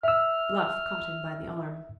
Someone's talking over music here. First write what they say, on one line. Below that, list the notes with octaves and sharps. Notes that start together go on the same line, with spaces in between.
Bluff caught him by the arm.
E5 E6 F6